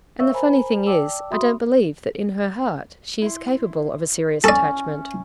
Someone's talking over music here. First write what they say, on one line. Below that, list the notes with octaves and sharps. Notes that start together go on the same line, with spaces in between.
And the funny thing is, I don't believe that in her heart she is capable of a serious attachment.'
C5 C#5 E5 F5 C#6 E6
A#4 C5 G#5 A#5 B5
D5 G5 A5 D6 E6
F#4 E5 B5 C6 D#6
E4 C6
C#4 A4 D5 B5